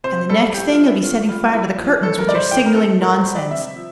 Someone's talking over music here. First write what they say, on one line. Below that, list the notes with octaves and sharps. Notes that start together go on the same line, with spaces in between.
"And the next thing you'll be setting fire to the curtains with your signaling nonsense."
C3 C5
G3 A4
A2 G4
F4
F3
E4
A2 F4
G3 F4
A#2 E4
F3
F4
A2 A4
A#4
G3 D5
C5
A2 G5
A#4
F3 A4
A2 A#4
C5
G3
D5
C3 E5
F3